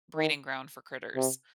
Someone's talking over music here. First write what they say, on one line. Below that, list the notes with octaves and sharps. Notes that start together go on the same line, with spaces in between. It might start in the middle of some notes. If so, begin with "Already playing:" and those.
breeding ground for critters.
D#3
C3